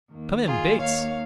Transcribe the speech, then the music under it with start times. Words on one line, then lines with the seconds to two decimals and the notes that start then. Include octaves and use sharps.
Come in, Bates.
0.11 D#2 D#3 A#3
0.45 F4 G#4
0.80 C#5 F5